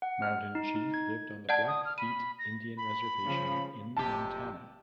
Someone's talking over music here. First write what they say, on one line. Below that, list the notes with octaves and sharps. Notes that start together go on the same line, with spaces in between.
Mountain Chief lived on the Blackfeet Indian Reservation in Montana.
F#5
F6
D#4
D#4
G#6
D5 F#5 A5 G#6
D#6
F6
B5 D#7
A#6
B5
C#3 F3
F#1 F2 C3 G4 A5